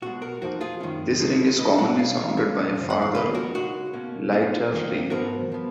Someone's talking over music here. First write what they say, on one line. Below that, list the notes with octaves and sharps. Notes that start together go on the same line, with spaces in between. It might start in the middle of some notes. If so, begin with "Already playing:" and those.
This ring is commonly surrounded by a farther lighter ring.
B1 B2 G#3 F#4
F#4 A#4
F2 F3 A#3 D#4 F#4
F4 G#4
F#2 D#3 G#3 C#4
D#2 C#3 G#3 D#4
B2 F#3 A#3 B4 D#5
D#5 F#5
B1 B2 G#3 D#4 C#5 F5
C#5 F5
B1 B2 A#3 C#4 C#5 F5
F#2 C#3 F3
F#5
F5
D#2 C#3 G#3 B3 B4 D#5
F#4 A#4
C#2 C#3 G#3 D#4 F#4
B2 A#3 C#4
B1 B2 G#3 D#4 F4 G#4
F2 D#3 A#3
G#2 F3 B3 F#4 A#4
F3 B3